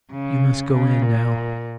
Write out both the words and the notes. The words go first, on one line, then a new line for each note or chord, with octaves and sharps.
"You must go in now!"
C#3
C#3
A#2